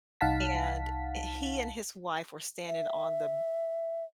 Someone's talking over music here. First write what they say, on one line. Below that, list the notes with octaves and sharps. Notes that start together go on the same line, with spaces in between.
and he and his wife were standing on the
C2 D#4 F5 F#5 A5 B6
E5